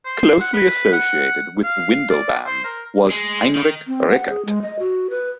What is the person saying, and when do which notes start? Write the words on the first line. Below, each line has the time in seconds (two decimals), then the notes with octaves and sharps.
Closely associated with Windelband was Heinrich Rickert.
0.05 C5
0.41 F#5
0.53 B4
0.92 F#5
1.64 F5
2.10 D5
2.46 C5
2.64 A#4
3.10 G#3
3.55 D#3
3.87 C4
4.10 F#5
4.29 G#4
4.46 G#3
4.62 D#5
4.79 F#4
5.10 B4